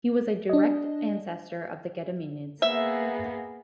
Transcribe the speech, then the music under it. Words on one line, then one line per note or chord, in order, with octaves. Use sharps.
He was a direct ancestor of the Gediminids.
D4 D#5
A#3 B3 G#4 E5